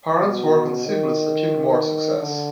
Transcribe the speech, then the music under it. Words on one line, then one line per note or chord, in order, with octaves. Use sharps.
Parran's work on syphilis achieved more success.
B2
D#3
D3